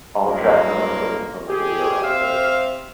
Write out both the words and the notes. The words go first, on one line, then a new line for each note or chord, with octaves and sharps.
All track notes taken from the video end credits.
C2 G2 F#3 G#3 A#3
G4 G#4
C4 G4 C5 E5 F5